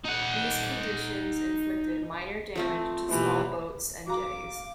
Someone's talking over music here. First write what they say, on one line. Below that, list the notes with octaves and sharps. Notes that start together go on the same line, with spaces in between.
These conditions inflicted minor damage to small boats and jetties.
D#4 F#5
F3 A3 C4
B2 E3 A#3 G4
F#3 F5 A#5 D6